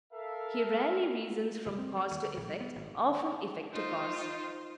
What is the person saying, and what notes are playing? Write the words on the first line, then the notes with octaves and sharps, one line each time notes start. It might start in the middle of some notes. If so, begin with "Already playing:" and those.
He rarely reasons from cause to effect, or from effect to cause.
A4 A#4 E5 F5
F#1
C4
G3
D#2
D3
A#1
G3
B3
G#1
D#4 F4 C5